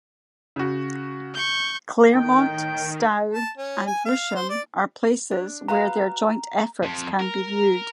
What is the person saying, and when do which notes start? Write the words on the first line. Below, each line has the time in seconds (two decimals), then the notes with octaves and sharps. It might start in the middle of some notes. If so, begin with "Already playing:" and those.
Claremont, Stowe, and Rousham are places where their joint efforts can be viewed.
0.56 C#3 F#4
1.34 C#6 G6
2.13 A2 D#3 G5
3.34 A5
3.58 C#4
3.87 G#5
4.06 F5
4.35 C5
4.50 D5
5.31 D4
5.68 F#4 B4 F5 A#5
6.83 F2
7.20 A#4